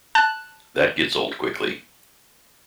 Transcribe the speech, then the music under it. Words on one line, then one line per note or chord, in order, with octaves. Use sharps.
That gets old quickly.
A5 F#6